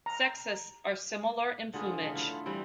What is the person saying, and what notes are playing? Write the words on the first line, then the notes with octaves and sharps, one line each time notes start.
Sexes are similar in plumage.
A#5
D3 B3 F4 G#4
C#3 E3 A3
D3 E4 F4
E3 G3 C4 E4